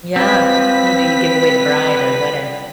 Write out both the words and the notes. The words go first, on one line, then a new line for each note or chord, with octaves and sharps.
Yeah. You know, you give away the bride at a wedding.
F3 G3 C4 B4 B6